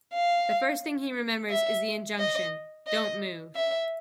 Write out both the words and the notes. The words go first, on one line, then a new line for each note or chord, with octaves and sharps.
The first thing he remembers is the injunction: "Don't move".
F5
E5
D#5
D#5
E5